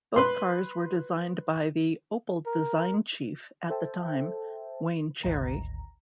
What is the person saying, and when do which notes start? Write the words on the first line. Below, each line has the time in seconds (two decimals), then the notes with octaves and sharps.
Both cars were designed by the Opel design chief at the time, Wayne Cherry.
0.16 B4 C6
2.47 A#4
3.70 A4 C5 E5 G5 A5
5.24 G#1 D2 A#5